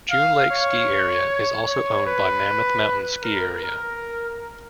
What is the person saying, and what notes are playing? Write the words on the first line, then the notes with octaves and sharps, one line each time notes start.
June Lake's ski area is also owned by Mammoth Mountain Ski Area.
F5
C#5
C#5
B4
A#4
A#4